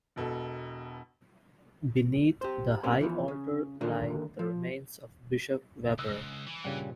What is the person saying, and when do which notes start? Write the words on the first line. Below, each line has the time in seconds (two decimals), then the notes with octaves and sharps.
Beneath the high altar lie the remains of Bishop Webber.
0.16 E1 B2 A4
2.41 G4 C5
2.83 A#3 C4 C#4 G4 C5
3.01 E3 F3 B3
3.28 C#3
3.81 D#2 D3 D#3 A#3 D4 D#5
4.39 F3
5.99 C#2 D#6 E6 F#6
6.47 E3
6.64 G2 A#2 C#3 G3 F#5